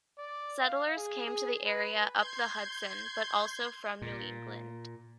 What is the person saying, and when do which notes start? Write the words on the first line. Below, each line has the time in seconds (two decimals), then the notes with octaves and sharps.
Settlers came to the area up the Hudson, but also from New England.
0.19 D5
0.62 F5
0.97 G#4
1.26 G#4
1.66 B4
2.14 C6 G6 G#6
4.02 A#2